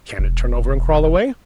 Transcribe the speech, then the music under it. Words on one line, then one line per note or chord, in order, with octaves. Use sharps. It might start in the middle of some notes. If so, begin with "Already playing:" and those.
Can it turn over and crawl away?
E1